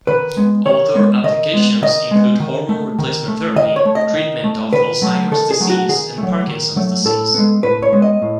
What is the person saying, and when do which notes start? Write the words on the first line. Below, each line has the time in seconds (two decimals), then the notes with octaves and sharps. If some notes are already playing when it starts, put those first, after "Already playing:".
Other applications include hormone replacement therapy, treatment of Alzheimer's disease and Parkinson's disease.
0.07 D#3 B4
0.37 G#3 B3
0.66 D#3 C#5
0.95 G#3 B3
1.24 D#3 D#5
1.54 G#3 B3
1.82 D#3 D#5
2.11 G#3 B3
2.40 D#3
2.69 A3
2.99 D#3
3.28 A3
3.56 D#3 D#5
3.76 C#5
3.85 A3
3.95 D#5
4.15 D#3
4.44 A3
4.73 D#3 B4
5.02 F#3 A3
5.31 D#3 A4
5.51 G#4
5.60 F#3 A3
5.70 F#4
5.88 D#3 G#4
6.18 A3
6.23 F#3
6.47 D#3
6.76 F#3 A3
7.05 A2 A4
7.34 G#3 B3
7.63 A2 B4
7.82 C#5
7.93 G#3 B3
8.02 D#5
8.22 A2